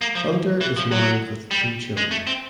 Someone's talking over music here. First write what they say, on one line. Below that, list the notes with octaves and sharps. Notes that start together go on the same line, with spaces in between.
Hunter is married with two children.
A#3
F3
E3
F3
F#3
G3
G#3
A3
C4